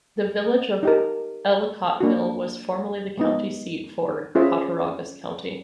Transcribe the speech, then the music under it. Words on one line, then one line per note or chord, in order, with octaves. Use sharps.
The Village of Ellicottville was formerly the county seat for Cattaraugus County.
D#4 G4 A#4
A#3 D4 F#4
G#3 B3 D#4
C#4 F4 G#4 C5 E5